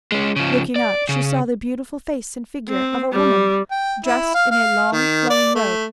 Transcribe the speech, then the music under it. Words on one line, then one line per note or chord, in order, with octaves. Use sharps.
Looking up she saw the beautiful face and figure of a woman, dressed in a long flowing robe.
G#3 C#4
C#3 F3
D5
C#3
C4
G3
G5
E4
F5
F5
D#3
D5
A3